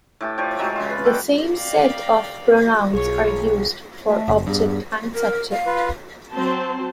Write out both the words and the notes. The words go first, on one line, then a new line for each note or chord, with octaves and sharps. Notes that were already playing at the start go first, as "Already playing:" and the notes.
The same set of pronouns are used for object and subject.
A2 G4 A5
F3 C#5 D5 G5
F#3 G#3 G4
C#3 G#3 F4
B4
A4 D5 F#5 G5
D5 F5 G5
B1 F4 G#4 C#5
A3
F#1
E2 G2
A#4
F5
F4 B4
F#3 C4 C5 A5